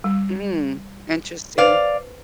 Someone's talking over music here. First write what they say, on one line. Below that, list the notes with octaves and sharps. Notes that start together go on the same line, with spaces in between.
Mm, interesting.
G3
B4 C5 D5 F5